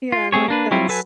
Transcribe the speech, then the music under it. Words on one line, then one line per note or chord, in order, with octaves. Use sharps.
Yeah, and like that's
F4
A3 C4 G#4 C#5
A#3 D4 B4
F#3 G3 C4 E4 F4
F#3 A4 B4 G#5